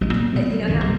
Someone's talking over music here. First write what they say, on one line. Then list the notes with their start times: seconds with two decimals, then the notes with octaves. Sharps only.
uh, you know how
0.01 A1 F#3 G#3
0.14 A#2
0.32 B2 G#3 A3 C4
0.49 F#3 G3
0.67 B1 F#2 D#3 E3
0.85 C3 G3 G#3 A#3